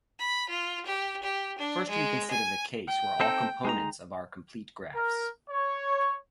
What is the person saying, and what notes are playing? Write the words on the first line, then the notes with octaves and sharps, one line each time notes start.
First we consider the case where all components of are complete graphs.
B5
F4
G4
G4
D4
G#3
G#5
G5
C4 D#4 A4
G#3 D#4 A#5
A#4
C#5